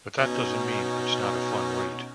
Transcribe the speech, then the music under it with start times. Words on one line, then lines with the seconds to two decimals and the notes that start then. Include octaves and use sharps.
But that doesn't mean it's not a fun read.
0.17 B2 C#4 D#4